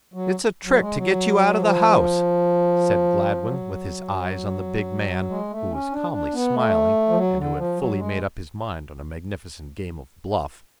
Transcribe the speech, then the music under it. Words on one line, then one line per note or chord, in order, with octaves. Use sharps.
"It's a trick to get you out of the house," said Gladwin with his eyes on the big man, who was calmly smiling and who had fully made up his mind on a magnificent game of bluff.
F#3
F#3
G#3
F#3
F3
F#3
G#3
A3
C#4
D4
D4
B3
A3
F3
F#3
D3
F3
F#3
G#3